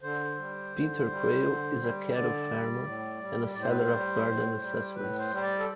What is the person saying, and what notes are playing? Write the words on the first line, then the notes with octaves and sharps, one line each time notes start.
Peter Quail is a cattle farmer and a seller of garden accessories.
D3 C5
G3
D3
G3
D3
G3
D3 D5
G3
A2
G3
A2 D5
C5
B4
C5
G3
A2
G3
A2 B4
C5
G3
C5
D5
A4